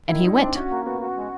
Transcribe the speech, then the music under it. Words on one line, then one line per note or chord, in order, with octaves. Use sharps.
And he went.
D#3 E4
G3 D#4
C4 D4
C#4 F#4
A#3
B3 F#4
F#4
G#3